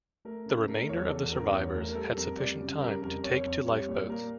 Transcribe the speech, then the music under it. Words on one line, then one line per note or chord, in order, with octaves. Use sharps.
The remainder of the survivors had sufficient time to take to lifeboats.
A3 A#4
C#3
A3 A#4
E2 C#5
E2 A4
C#3 A#4
E2 C#5
A3 A#4
A#4
G3 A4
F2 A#4
G3 D5
C#3
G3 A#4
F2 A#4
F2 C#5
F2
G3 C#5
A#2
A#3 A#4